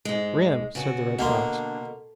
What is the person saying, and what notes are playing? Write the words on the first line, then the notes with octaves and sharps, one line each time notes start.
"Rim," said the Red Fox.
G#2 G#3
C#3 B3 F#4
B2 D3 A#3 C6